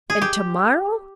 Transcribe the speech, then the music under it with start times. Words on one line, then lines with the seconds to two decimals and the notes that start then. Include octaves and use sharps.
And tomorrow?
0.10 G#4
0.22 G4